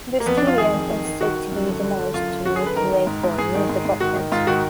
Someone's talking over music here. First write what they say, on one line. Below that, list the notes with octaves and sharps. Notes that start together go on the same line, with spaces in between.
The stadium is set to be demolished to make way for a new development.
A#3
F2 B3
D4
F2 F4
D#3 G#4
F2
D#3
D#3
D#3 F#4
D#3
F#2
D3
D3
D3
F#2 F4
D3
F#2 F#4
G#4
D3
B4
D#3 A#4
D#3
G#2
G#2
G#2 G#4
D#3
G#2
G#2
D#3 F#4
D#3
G#2 F4
D#3 F#4